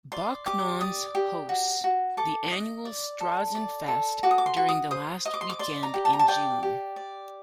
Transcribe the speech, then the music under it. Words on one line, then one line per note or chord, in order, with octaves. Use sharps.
Backnang's hosts the annual "Strassenfest" during the last weekend in June.
D5 C6
G4 D6
D5 D#6
G4
F#4
F#4
A4 D6
D#5
D5
A4
D5
A4
F#4 D6
D#6
D6
C6
F#4
D#6
C5 D#6
D#5 D#6
D6
C6
D6
D5 C6
A#5
G4
A5
A#5
A5
D5 G5
G4
D5